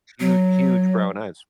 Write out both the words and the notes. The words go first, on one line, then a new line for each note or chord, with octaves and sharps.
Hu huge brown eyes.
F#3